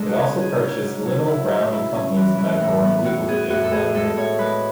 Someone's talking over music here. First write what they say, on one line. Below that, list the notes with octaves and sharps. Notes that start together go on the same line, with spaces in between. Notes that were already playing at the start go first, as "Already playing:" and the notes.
It also purchased Little, Brown and Company's medical and legal division that year.
Already playing: G#3 D4 A4
F#4
C#3
C#4 G#4
G#2
G#2
F#3
E4
F#3
E4
C#4
E3
E3
A2
B3
A2 F#4
B3 G#4
A2 F#4
A4
A2 G#4
G#3 A4
A2 C#5
G#3 B4